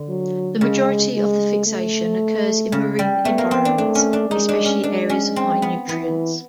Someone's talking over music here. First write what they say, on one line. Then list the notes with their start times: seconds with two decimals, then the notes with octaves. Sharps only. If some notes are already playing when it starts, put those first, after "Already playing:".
The majority of the fixation occurs in marine environments, especially areas of high nutrients.
Already playing: D3
0.09 F#3
0.61 C#3 G#3
1.14 G#3
1.66 A3
2.72 C#3
2.99 G3
3.25 A3 B3
3.38 A#3
3.51 C4
3.65 D4
3.78 A3 D4
3.95 C#4
4.13 D4
4.30 G#3 D#4
4.49 D4
4.65 C#4
4.83 G#3 D4
5.09 C#4
5.36 C4
5.62 B3
5.88 E3 B3